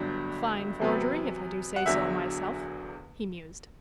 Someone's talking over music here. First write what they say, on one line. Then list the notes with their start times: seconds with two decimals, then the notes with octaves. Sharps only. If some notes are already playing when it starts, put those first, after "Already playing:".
"A fine forgery, if I do say so myself," he mused.
Already playing: G1 G2 D3 F#3
0.79 E2 C3 F#3 B3
1.76 F#5
1.86 E1 E2 D3 F#3 E5